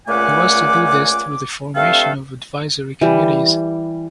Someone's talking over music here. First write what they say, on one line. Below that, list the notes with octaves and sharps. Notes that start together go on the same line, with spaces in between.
He was to do this through the formation of advisory committees.
C#2 A#2 A3 F#5 G#5 D6
G2 A3 C4 A4 F5
E3 G3